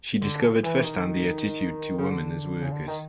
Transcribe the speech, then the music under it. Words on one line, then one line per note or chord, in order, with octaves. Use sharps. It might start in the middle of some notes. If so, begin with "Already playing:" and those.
She discovered first hand the attitude to women as workers.
D3
E3
D#3
C#3
D3
C#3
D3
D#3